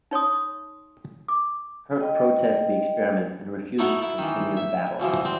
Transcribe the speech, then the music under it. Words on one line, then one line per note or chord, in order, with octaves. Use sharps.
Kirk protests the experiment and refuses to continue the battle.
D#4 C#5 C6 D#6
D6
D#5 G5
D#4 E4 F#4 A4 A#4
E4
D#3 E3
E5
C#2 B2 E3 F3
E2 C4